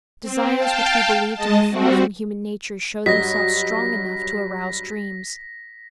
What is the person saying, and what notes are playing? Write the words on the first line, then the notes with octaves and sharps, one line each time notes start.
Desires which we believe to be far from human nature show themselves strong enough to arouse dreams.
C4
F5 G5 A5
G#3 D#5 A5
G3 C4 F#4
G2 F#3 D#5 A#6 B6